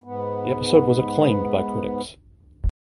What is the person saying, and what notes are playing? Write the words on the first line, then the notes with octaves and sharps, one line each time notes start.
The episode was acclaimed by critics.
G#2 B3